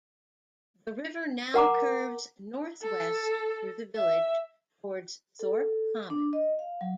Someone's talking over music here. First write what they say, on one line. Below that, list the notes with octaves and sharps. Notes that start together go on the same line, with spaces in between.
The river now curves northwest through the village towards Thorpe common.
A#4 F#5 A#5 D6
A4
E5
A4
D4
D#5
F5
F#3